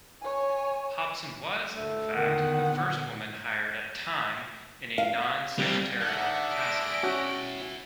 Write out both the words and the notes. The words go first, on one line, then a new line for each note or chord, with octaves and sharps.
Hobson was, in fact, the first woman hired at "Time" in a non-secretarial capacity.
C#5 G#5
D2 A#2 A3
E2 A#2 D3 D#3 B3 F#5
F5
G3 C4
D#3 D4 G#4 E5 F#5
G#3 E4 A#6 D7
C#4 E4 F#4 G5